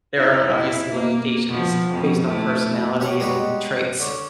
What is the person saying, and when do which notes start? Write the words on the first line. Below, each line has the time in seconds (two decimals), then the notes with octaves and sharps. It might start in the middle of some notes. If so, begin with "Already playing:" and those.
there are obviously limitations based on personality and traits.
0.16 D#4 E4
0.53 E4
0.92 A#3
1.49 B2 F3
1.89 F2 B2
2.27 A3 E4
3.00 F#2 G4 C#5 C#6
3.20 G3 G#3 D#4 F#4 G4 C#5
4.00 D3 C#4 D6